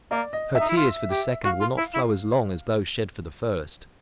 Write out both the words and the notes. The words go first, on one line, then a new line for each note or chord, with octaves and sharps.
Her tears for the second will not flow as long as those shed for the first.
A#3 D5
D#5
E5
D#4
E4
F4
G4
F#4 F5
F4
E4
E4